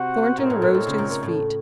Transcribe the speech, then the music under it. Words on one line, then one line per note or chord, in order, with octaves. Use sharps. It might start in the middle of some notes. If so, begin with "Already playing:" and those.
Thornton rose to his feet.
Already playing: C3 F#4 C5 F#5
A#2 A3 C4 D#4 A#4 C#5
A2
A#2
A#2
C#3
A#2
A#2
A2